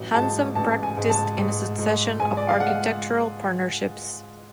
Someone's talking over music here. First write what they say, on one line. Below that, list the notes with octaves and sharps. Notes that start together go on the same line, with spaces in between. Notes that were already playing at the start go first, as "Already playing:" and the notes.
Hansom practised in a succession of architectural partnerships.
Already playing: A1 F#3
G#2 A5
A1 A5
G#5
G#2
A5
G#2
G#2
G#2 G#5
D5
F5
G#3 F#5